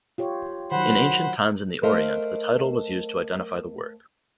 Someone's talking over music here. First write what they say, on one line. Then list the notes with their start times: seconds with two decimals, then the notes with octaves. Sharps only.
In ancient times in the orient the title was used to identify the work.
0.18 F4 G4 C#5
0.72 D#3 F#3 C5 F#5 B5
1.83 A3 A#4 C5 D#5 F5